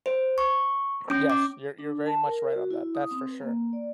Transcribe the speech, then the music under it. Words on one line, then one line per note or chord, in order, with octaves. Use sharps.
Yes, you're you're very much right on that, that's for sure,
C5
C#6
C#4
D6
D4
A5
A#4
F#4
E4
D#6
C4
B4
A#3
D5